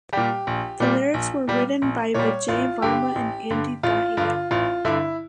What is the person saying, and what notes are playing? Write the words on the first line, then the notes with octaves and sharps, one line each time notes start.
The lyrics were written by Vijay Varma and Andy Dahiya.
A#2 G3 G4
A#1
A#2 G3
A#1
A#2 G3
A#1
A#2 G3 C#5
A1 F4
G2 D3 G4
A1
G2 D3
A1 F4
G2 D3 F4
A1 F4
G2 D3 E4